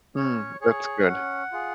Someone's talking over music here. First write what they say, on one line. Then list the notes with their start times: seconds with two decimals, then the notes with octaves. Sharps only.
Mm, that's good.
0.16 C#4 C#5
0.61 G#4 C#5
0.99 G#5
1.07 C#4 F#5
1.52 F4 G#4